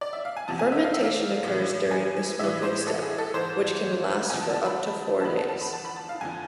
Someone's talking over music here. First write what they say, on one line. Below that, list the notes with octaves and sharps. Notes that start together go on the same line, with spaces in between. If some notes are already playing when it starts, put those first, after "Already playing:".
Fermentation occurs during the smoking step, which can last for up to four days.
D5
E5
F5
G#5
E2 C3 F3 A5
G#5
E5
F5
E5
F5
A2 E3
G#5
A2 E3 E5
C5
A4
G#4
A4
G#2 E3 C5
E2 D3 F3 G#5
A5
A5
B5
A5
E2 D3 F3 B5
A5
A5
B5
A5
B5
A5
F5
F2 D3 F3 G#5